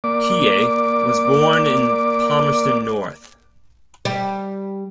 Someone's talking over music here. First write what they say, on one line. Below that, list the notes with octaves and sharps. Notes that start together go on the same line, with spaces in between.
Keay was born in Palmerston North.
A#3 D5 D6
G3